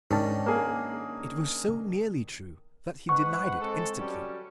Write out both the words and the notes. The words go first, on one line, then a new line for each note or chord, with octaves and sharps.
It was so nearly true that he denied it instantly.
G#2 D#3 C#4 D4 A5
A#3 G#4
G#2 B4 F#5 C#6
G#3 C4 A4
F#3 G3 C#4